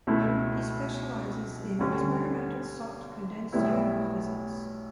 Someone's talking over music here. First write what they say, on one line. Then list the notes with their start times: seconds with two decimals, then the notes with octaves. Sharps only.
He specialises in experimental soft condensed matter physics.
0.07 C#2 B2 A3 E4
1.79 D2 D3 G3 C#4
3.53 B1 A2 G3 B3 E4